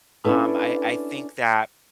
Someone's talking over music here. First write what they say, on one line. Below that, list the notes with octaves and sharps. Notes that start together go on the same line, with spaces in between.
um, I I think that
C#4 D4 E4 A4 B4